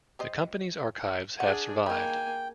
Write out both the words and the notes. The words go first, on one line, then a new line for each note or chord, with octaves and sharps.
The company's archives have survived.
G3 C5 D#5
D4 G#4 F#5
D#3 A#3 G5 G#5 B5